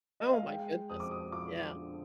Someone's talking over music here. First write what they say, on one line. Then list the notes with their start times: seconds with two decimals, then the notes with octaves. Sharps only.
Oh my goodness. Yeah.
0.20 D#5
0.33 F5
0.47 G#3 G5
0.90 F2 D#6
1.00 D6
1.11 D#6
1.32 F3 D6
1.76 D3